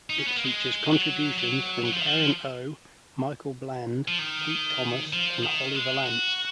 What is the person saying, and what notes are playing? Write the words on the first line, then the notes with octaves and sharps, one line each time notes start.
It features contributions from Karen O, Michael Bland, Pete Thomas, and Holly Valance.
D#4
C#4
B3
A#3
G#3
F#3
F#3
F#3
F3
D#3
F3
F3
D#3
F3
D#3
G#3
F#4